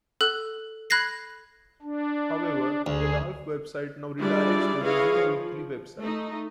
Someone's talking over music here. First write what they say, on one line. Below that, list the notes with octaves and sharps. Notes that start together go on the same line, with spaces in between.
However the Ralph website now redirects to the Zoo Weekly website.
A4 F#6
B5 F#6 G#6 A#6 C7
D4
D2 G#4
G3 D4 E4 F4 G#4 D5
E4 G#4 B4 C#5 D#5 F5
F3
A3 D#4